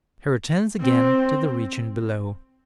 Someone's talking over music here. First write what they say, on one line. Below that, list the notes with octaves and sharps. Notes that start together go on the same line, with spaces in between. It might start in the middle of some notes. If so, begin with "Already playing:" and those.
He returns again to the region below.
C4